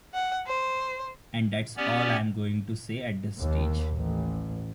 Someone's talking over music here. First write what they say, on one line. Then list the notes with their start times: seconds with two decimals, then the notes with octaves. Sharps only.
And that's all I'm going to say at this stage.
0.14 F#5
0.47 C5
1.77 B3 C#4 G4 D5
3.40 D#2
3.95 A1